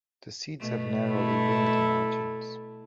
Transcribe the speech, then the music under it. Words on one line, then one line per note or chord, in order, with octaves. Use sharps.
The seeds have narrowly winged margins.
B2 A3
E4 A4